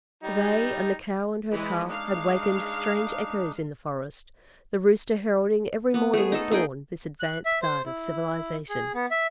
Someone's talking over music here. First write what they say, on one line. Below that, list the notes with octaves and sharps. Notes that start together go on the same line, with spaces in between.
They and the cow and her calf had wakened strange echoes in the forest, the rooster heralding every morning at dawn this advance guard of civilisation.
G3 D#4
E3 G#3
G#3 D4 D#4 F5
B3
A3 G#4
D#4 A4
A#3 D#4 G#4 G5
F#6
E5
C5
E4
G#4
B3
E5